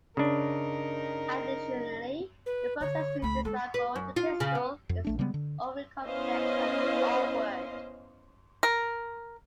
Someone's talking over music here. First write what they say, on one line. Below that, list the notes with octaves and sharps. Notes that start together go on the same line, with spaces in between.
Additionally, the process to disassemble the pistol is overly complex and awkward.
C#3 D4 D#4 A#4
B4
D3 C#5
C#2 A3 B5
G#3 A4
B4
F#2
F4
C#3
B3
F2
A#1 A3 D4
C#3 G3 G#3 B3
D3
B3 C#4 E4 C5 D#5 F5
A#4